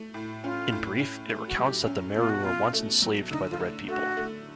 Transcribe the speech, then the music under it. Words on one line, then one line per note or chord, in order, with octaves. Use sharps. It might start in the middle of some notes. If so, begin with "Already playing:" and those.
In brief, it recounts that the Meru were once enslaved by the Red People.
Already playing: A3
A2
C#4 F4
A2
C#4
A3
F#4
F#3 G4
C#4
B2 F4
F#4
B2 F4
A3
F#3
D3 D#4
F4
A3
A3 F#4
A3